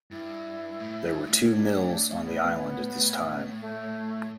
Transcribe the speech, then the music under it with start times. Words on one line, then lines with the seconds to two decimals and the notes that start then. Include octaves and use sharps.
There were two mills on the island at this time.
0.11 G2 E4
0.80 A2
1.04 G2
1.27 A2
1.51 D4
2.21 B3
2.91 A2
3.61 A3